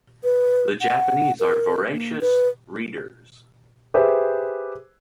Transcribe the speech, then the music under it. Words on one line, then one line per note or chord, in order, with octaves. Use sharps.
The Japanese are voracious readers.
B4
F#5
A#4
A#3
B4
G4 G#4 B4 C5 E5